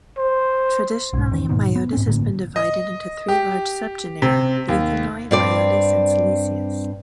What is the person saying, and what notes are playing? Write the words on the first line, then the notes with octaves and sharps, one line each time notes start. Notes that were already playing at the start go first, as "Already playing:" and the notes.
Traditionally, "Myotis" has been divided into three large subgenera-"Leuconoe", "Myotis", and "Selysius".
C5
B1 G#2
E2 D#3
G#2 B2 D#3
B3
G#2 C4 C#4
A1 A2 D3 A#3
D#5
G4
C3
D#2
G2 C4 D5